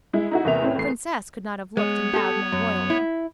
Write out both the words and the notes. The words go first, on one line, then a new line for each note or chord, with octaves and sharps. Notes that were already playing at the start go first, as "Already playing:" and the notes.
A princess could not have looked and bowed more royally.
G#3 E4
D#4 E4 F#4
E2 C3 A#3 E5 F7
A2 C4 C#4
E2 A3 C7
G#3 B3 C#5
G4 A4
F#2
E4